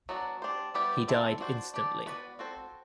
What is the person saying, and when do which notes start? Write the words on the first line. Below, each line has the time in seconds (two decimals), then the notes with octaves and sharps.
He died instantly.
0.09 F#3 B3 D4 F#4
0.42 D4 G4 C5
0.74 G3 B3 E4 G4 D5
1.08 C4 E4 A4 D5
1.41 D4 F#4 C5
1.74 D4 G4 D5
2.06 B3 F#4 B4 D5
2.39 C4 F#4 A4 C5